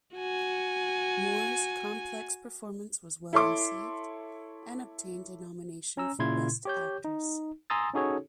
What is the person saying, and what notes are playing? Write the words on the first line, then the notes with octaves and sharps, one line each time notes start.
Moore's complex performance was well-received and obtained a nomination for Best Actress.
F#4 G#5
E4 A4 C#5 C6 D6
C#4 A#5 E6
A#2 C#3 E4 C6 G#6
G4 C#5 G6
D#4
G#5 A#5 C6 D#6 E6 A6
C#4 D#4 F#4 G#4 A4 C#5